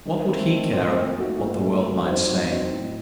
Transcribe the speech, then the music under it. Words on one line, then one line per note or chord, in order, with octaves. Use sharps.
What would he care what the world might say?
D#3
A3 C4 F4
D#3
A3 C4 F4
A#2
A3 D#4 F#4 A4
A#2
A3 D#4 F#4 A4
F#3
C4 D#4 F#4 C5
F#3
C4 D#4 F#4 C5
A2